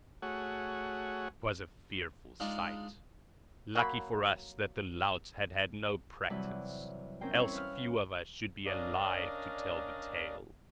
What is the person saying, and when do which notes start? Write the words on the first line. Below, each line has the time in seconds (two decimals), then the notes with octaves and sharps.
'Twas a fearful sight; lucky for us that the louts had had no practice, else few of us should be alive to tell the tale.
0.22 A3 F#4 G#4 C#5 F#5
2.40 G#3 D4 D#4 F4
3.75 F#3 A#3 B5
6.30 C3 E3 F#3 G3 B4
7.21 C4 C#4 A#4 C5 G5
7.33 C4 C#4 E4 C5 C#5
7.53 B4 F5 F6
8.66 C#4 D4 A#4 D5 D#5 F5